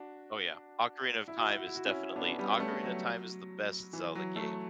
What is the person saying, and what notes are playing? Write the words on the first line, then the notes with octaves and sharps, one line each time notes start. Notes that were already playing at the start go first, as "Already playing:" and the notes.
Oh, yeah, Ocarina of Time is definitely Ocarina of Time is the best Zelda game.
Already playing: D4 F#4
E4
F#4
E4
F#4
E4
F#4
C#4 E4
B3 D4
C#4
G3 B3
A3 C#4
F#3
E3
F#3
F#3 A3